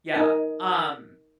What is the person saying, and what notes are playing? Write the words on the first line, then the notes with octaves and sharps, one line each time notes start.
Yeah. Um,
D#4 A#4 D#5 G#5